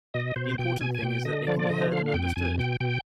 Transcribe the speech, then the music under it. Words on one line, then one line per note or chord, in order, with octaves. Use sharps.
The important thing is that they can be heard and understood.
B2 D#5
B2 C5
B2 G5
B2 G#5
G#5
B2 G5
D3 D#5
F3 D5
D5
D3 D#5
D3 F5
F5
F2 G5
F2 G#5
B2 G5
B2 G5